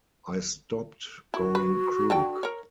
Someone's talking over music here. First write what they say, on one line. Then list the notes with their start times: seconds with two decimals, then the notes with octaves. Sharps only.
I stopped going crook.
1.34 E4 F#4
1.55 B4
2.10 D3 A4 G5
2.43 A#4 C#5